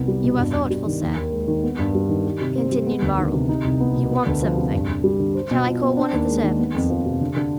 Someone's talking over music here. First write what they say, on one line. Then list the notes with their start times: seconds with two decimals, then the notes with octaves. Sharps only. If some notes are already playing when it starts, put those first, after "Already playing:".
"You are thoughtful, sir," continued Morrel; "you want something; shall I call one of the servants?"
Already playing: C2 B3
0.08 G3
0.24 B2
0.39 G2
0.54 G2
0.70 G3
0.86 D#3
1.02 D#2
1.17 D#2
1.32 G#3
1.48 D#3
1.63 B3
1.79 G2
1.95 G3
2.09 D#3
2.26 G4
2.41 C3
2.56 C4
2.71 G3
2.87 B3
3.02 D2
3.18 D#3
3.34 C3
3.49 D#4
3.65 C2
3.80 B3
3.95 B2
4.11 B3
4.27 D2
4.42 F3
4.57 C3
4.73 G2
4.88 G2
5.04 G3
5.20 D3
5.35 C5
5.51 B2
5.66 F4
5.82 B3
5.97 D4
6.13 D#2
6.29 G#3
6.43 D#3
6.59 B3
6.75 F2
6.90 F3
7.05 C3
7.21 D3
7.36 D3